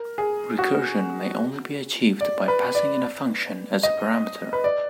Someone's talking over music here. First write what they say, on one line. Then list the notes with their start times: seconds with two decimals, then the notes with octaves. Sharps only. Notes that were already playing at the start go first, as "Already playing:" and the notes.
Recursion may only be achieved by passing in a function as a parameter.
Already playing: A#4
0.18 G#4
0.59 F#4
2.21 D5
2.48 B4
2.75 D5
3.83 D#5
4.53 B4
4.64 D5